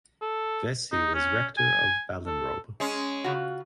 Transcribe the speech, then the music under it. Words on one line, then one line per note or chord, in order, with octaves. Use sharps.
Vesey was Rector of Ballinrobe.
A4
D#4
C#4
G#5
A4
G#3 C#4
C#3 F4 F#4